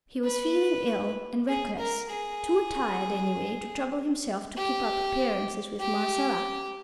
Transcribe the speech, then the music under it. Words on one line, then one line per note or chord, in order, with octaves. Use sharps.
He was feeling ill and reckless; too tired anyway to trouble himself to keep up appearances with Marcella.
B4
G#4
A#4
G#4
G4
G4